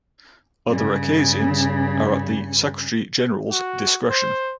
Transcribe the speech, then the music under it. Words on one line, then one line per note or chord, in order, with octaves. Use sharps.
Other occasions are at the Secretary-General's discretion.
G2 C#3
F#4
C5